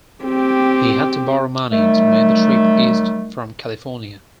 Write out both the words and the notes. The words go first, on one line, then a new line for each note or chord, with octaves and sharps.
He had to borrow money to make the trip east from California.
C4 G4
D#3 F#3 G3 A3